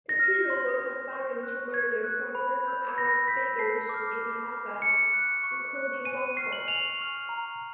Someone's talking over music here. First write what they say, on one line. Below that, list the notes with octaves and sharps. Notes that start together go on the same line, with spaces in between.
The two were conspiring to murder prominent Arab figures in Haifa, including Makhoul.
A#6
F6
C6
F6
C#6
F#6
C#6 G#6
F#6
B5
E6 G6
B5 A#6
E6 G6 B6
A5 C7
D6 F6
A5
D6 F6
C#6 C#7
F#6
C#6
F#6
G#5 D#7
C#6 F6 C7
F#7
G#5 F7
C#6 F6
A#5